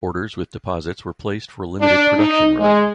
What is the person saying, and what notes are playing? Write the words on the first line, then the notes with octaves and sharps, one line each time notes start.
Orders with deposits were placed for a limited production run.
D4
D#4
G#3